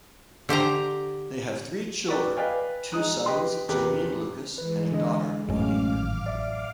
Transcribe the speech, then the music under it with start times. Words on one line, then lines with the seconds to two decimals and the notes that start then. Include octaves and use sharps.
They have three children - two sons, Jamie and Lukas, and a daughter, Monique.
0.49 D3 G4 C5 A#5
2.08 F#4 B4 D5 G5
2.37 B4 D5 D#5 F5 G5 G#5
2.92 G#3 D#4 D#6 F#6
3.26 G4 B4 D#5 G5 C6
3.69 E2 C3 G4 A#4 B4 D6
4.58 E3 G#3 B4
4.92 D3 D4 D#5
5.48 A1 F#2 G#3 A3 C#4 F5 D6 F6
5.95 G#1
6.26 D5 E5